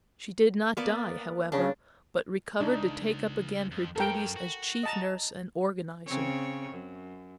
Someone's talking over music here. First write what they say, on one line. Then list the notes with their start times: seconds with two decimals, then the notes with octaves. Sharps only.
She did not die, however, but recovered to take up again her duties as chief nurse and organizer.
0.77 A#3 B3 D5
1.52 C#3 D4
2.61 C#2 D4 D#4
3.71 F2
3.96 F#2 A4 A#4 C#5 G5
4.36 F#4
4.83 D#5 A5 A#5
6.07 C#3 C4 C#5
6.72 F#2